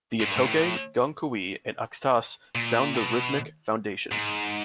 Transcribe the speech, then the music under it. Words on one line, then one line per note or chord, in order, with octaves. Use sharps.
The atoke, gankogui, and axatse sound the rhythmic foundation.
G#2
G2
G#2
A2
A#2
B2
G#2